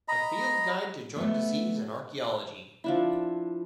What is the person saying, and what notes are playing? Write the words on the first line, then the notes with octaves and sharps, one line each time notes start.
"A Field Guide to Joint Disease in Archaeology".
D#5 A#5 B5
A3 B3
F3 D4 E4